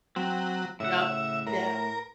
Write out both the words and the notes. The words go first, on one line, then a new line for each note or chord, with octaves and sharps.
Yep, yeah.
F#3 C4
A2 C#3 E5 F#5
A2 A#4